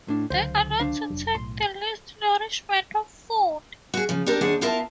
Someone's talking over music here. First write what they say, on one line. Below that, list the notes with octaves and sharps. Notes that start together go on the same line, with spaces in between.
They are not to take the least nourishment of food.
A2 D4
C#2 D3 F#3 C5 F5
D4 C5 F5
F1 F#3
B1 A2 C6
F#4 G#4
C#3 F3
D4 G4 A4 A#4
D#2 D4 G#4 F#5
B3 E4 F4 A#4 E5 A5